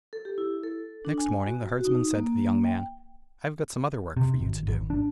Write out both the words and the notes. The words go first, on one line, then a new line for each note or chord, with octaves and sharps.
Next morning the herdsman said to the young man: 'I have got some other work for you to do.
A4
G4
E4
A4
D4
G#5
F#4
F#4
D#4
A#3
G5
C3
G#1
G#1
D4